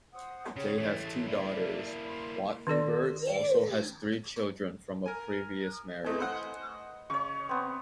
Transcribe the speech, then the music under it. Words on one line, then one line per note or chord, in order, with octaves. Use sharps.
They have two daughters; Wattenburg also has three children from a previous marriage.
C5 F#5 D#6
C#3 G4 G#4 C#5
E3 A3
A#3 E4 D5
B5 C6
D#3 D4 A4 D5
A#4 G#5
E3 A3 C4 D#5 G#5
B4 C5 F#5
C#3 C#5 C#6
B3 C4